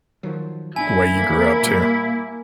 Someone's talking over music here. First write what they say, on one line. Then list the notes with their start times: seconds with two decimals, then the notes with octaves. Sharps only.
the way you grew up too,
0.23 D#3 F3 F#3
0.76 A1 C4 D4 E4 G#5
1.14 D2 A#3
1.63 A#2 G3